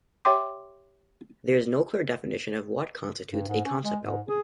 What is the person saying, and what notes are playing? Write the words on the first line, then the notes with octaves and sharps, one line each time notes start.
There is no clear definition of what constitutes a "concept album".
G4 C#5 E5 G5 C6 D6
G2
G#2
C#4
G#3
G#2
G#4